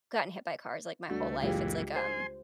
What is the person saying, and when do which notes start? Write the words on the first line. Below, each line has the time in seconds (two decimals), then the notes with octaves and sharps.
gotten hit by, uh, cars, like, my whole life. It’s like, um
1.10 C#2 G3 A3 D4 F#4
1.42 F#2 A#2 E3 G#3 F4 G4
1.96 C5 G#5 C6